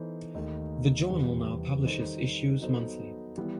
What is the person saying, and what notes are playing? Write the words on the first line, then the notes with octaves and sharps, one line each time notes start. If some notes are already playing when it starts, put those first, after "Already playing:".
The journal now publishes issues monthly.
Already playing: E3 B3 D#4 A4 C5
D#2 D#3 A3 D#4
E2 C3 E3 G3 C4
D#3 G3 D#4 A4 C5
F#3 B3 D#4 A4 C5
E3 G3 B3 E4